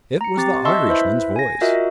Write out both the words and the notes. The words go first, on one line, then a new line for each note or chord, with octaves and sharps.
It was the Irishman's voice.
A#5 C#7
C4 G4 A6
D#5 E5 A5 C6 C#6 E6
E4 B4 C5 E5
G#5 A#6
F4 F#4 A#4 D#5 E5